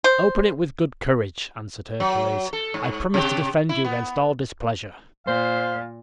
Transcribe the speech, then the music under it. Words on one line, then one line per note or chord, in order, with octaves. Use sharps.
"Open it with good courage," answered Hercules, "I promise to defend you against all displeasure."
C5
F#3
A4
G#2
C3 G4
E4
B3
A#2 C5 F5